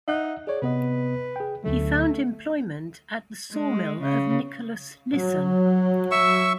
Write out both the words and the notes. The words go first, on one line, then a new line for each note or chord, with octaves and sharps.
He found employment at the sawmill of Nicholas Lisson.
D#4 E5 F#5 F#6
G#4 C#5 D5
C3 B3 B4 D#5
G#4 G5
D2 D3 F#3 A3
G#3
C#3
F#3
E5 C#6 E6